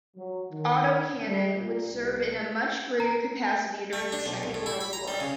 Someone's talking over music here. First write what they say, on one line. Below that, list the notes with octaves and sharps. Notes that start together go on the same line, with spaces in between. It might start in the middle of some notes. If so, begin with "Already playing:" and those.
Autocannon would serve in a much greater capacity during the Second World War.
F#3
D#3
G3
A#2
C2
A#5
A3
D4
B1
C2
A2
E4
B5
A#5
G3
C#3